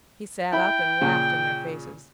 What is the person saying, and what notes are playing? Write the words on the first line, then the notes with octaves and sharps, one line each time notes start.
He sat up and laughed in their faces.
E4 G5 B5
A#2 C#3